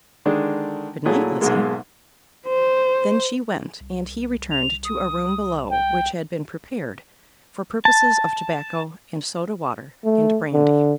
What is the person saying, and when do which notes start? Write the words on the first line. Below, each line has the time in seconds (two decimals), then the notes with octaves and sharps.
"Good night, Lizzie." Then she went, and he returned to a room below which had been prepared for purposes of tobacco and soda-water and brandy.
0.25 D3 D#3 G#3 D4
1.05 A#2 F#3 A3 E4 G#4
1.40 B1 G#2 B2 G#3 A#3
2.47 C5
3.80 C2
4.51 F7
4.84 D#6
5.70 G5
7.85 A5
10.05 A3
10.53 D3